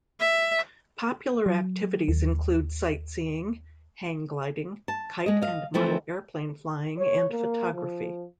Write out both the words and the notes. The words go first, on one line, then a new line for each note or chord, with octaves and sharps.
Popular activities include sight-seeing, hang gliding, kite and model airplane flying, and photography.
E5
F#3
D#2
A5
G#3 D#5
D#5 F5
E3 F3 A3 C4
C#5
A#3
F3